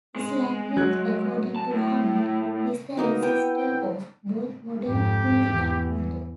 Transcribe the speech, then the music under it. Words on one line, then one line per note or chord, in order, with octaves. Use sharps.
This language, according to Rahman, is the ancestor of both modern Hindi and Urdu.
G#3
F#3 F#6 G#6
A5
A2 A3
F#3 A#3 B3 D#4
B3 E4 G5
G5
F2 G#2 G4
E2 E3